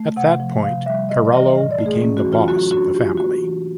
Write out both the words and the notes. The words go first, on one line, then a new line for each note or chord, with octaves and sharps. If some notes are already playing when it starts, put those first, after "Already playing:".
At that point Carollo became the boss of the family.
Already playing: A3
C3 F#5
F3
C3 F5
G3 E5
C3 D#5
D5
E3 D#5
A2 D#5
D5
A3
G#4
C#4
F#4
E3
F4
F#3 F#4
D4 F#4
F4 G4
A#3 F#4
E3